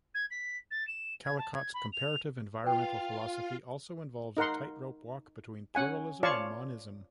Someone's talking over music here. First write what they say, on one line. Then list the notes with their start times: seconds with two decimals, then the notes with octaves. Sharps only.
Callicott's comparative environmental philosophy also involves a tightrope walk between pluralism and monism.
0.15 G#6
0.31 B6
0.71 A6
0.87 E7
1.24 G#6
1.38 A5
1.54 G#6
1.74 B5
1.93 F7
2.64 F4 B4 F5 G5
4.37 D#4 A#4 F#5 C6
5.75 C#4 F#5 G#5
6.23 F4 C#5 D5 F5 A5 C#6